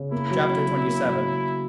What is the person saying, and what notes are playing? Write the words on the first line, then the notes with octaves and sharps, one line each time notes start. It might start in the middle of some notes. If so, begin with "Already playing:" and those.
Chap. XXVII.
Already playing: C#3
A#3 E4
F#3
C#4
F#3
A#3
F#3